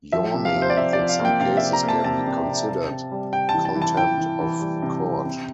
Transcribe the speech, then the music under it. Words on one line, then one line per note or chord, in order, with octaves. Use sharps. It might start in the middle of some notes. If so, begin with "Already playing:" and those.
Yawning in some cases can be considered contempt of court.
F3 E5
C3
F5
F3
C5
D5
C3 E5
D5
F3
F5
A#3
G5
C3 F5
C3 E5
A#5
A#3
A5
C3 A5
C3
C3
C3
C3
G3
C3 G5
A5
E3
A5
E3
A5
E3 G5
E3
E3
G3
C3
C3
C3